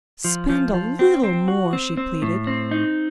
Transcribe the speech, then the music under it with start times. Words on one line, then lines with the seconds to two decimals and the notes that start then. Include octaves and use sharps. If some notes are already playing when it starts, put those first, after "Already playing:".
"Spend a little more," she pleaded.
0.24 F3
0.49 F3
0.74 F3
0.99 C4
1.23 C4
1.48 F#4
1.73 C4
1.97 C4
2.22 A2
2.47 C4
2.71 D#4